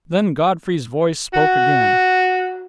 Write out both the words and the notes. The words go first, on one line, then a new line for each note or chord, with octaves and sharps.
Then Godfrey's voice spoke again.
F#4